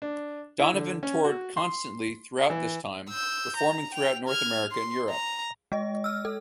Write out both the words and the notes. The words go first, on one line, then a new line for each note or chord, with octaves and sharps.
Donovan toured constantly throughout this time, performing throughout North America and Europe.
D4
E4
D3
C#4
F#4
C6
E3
E6 G6
A#5
G5 F7
F6 G#6
C6
A#5
G#3 D#5
E6 F6
A4